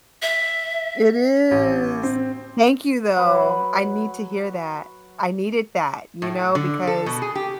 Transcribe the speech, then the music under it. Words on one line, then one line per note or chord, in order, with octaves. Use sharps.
It is. Thank you though. I need to hear that. I needed that, you know, because
E5
A1
C4
F#3 B4
A2
D3
A4
B2
G#4
G4